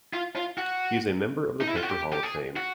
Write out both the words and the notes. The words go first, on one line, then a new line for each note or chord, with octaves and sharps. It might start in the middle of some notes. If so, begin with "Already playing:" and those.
He is a member of the Poker Hall of Fame.
F4
F4
F#4
D#4
E4
F4
F#4
G4
G4
G#4
F#4